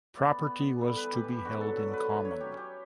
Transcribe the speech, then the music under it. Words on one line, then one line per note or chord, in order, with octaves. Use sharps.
Property was to be held in common.
B3 D5
B3
B3
G3 A4
B4
E3
G4
E3
G4
D3 F#4
A4
F#3
A4
D3
B4
F#3 C#5
C#5
F#3
G4
C#4
G4